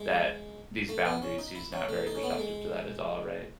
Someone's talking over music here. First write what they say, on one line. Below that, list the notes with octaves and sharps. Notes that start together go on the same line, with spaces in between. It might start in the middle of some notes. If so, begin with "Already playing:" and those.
that these boundaries, he's not very receptive to that is all. Right?
Already playing: G#3
A3
B3
C#4
D#4
E4
C#4
A3
D#4
C#4
B3
A3
G#3